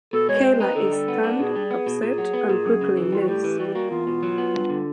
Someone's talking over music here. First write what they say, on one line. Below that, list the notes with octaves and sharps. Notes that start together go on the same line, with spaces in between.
Kayla is stunned, upset, and quickly leaves.
B2 A4
G#3 C#5
C4 C5
D#4 B4
D3 A4
G3
B3
D4
B2 G#4
G3
B3
B2
A#2
F#3
B3
A#2
F#2
C#3
E3
G3 F4
F#4
A2 G4
E3
G3 F#4
G4
A#3 F#4
E2 F4
B2
F#3
B3
G2
D3